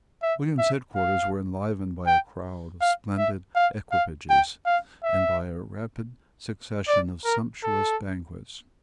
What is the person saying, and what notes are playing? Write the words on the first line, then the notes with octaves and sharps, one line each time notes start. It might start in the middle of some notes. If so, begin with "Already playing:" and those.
William's headquarters were enlivened by a crowd of splendid equipages and by a rapid succession of sumptuous banquets.
E5
E5
F5
G5
F5
E5
F5
F5
G5
F5
E5
D5
A#4
A4